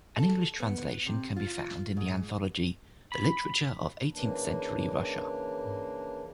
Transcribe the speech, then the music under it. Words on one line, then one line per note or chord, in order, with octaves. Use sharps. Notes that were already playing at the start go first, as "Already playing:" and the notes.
An English translation can be found in the anthology "The Literature of Eighteenth-Century Russia".
A4
B3
C3
F4
G#2
B5
C#3 E3 A#3 D4